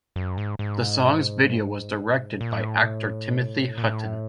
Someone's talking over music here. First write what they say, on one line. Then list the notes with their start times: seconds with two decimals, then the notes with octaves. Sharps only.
The song's video was directed by actor Timothy Hutton.
0.16 F#2
0.38 G#2
0.59 G#2
2.41 A#2
2.52 A2
3.78 A#2
3.82 A2